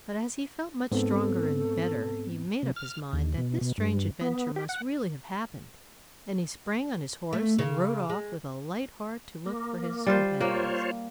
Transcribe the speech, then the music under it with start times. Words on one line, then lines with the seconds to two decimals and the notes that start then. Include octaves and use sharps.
But as he felt much stronger and better he made up his mind that this strange adventure must really have happened, and he sprang on his horse and rode off with a light heart to look for his companions.
0.91 G#2 B3 C4 A4
2.63 C3
2.76 F6
3.13 D#2
3.38 B2
3.61 B2
3.78 G2
4.21 B3
4.56 G4
4.69 F#5
7.33 A3
7.58 C#3
8.09 G#3
9.46 A#3
10.06 G3 F4 C5
10.41 A#3 F4 C5 C#5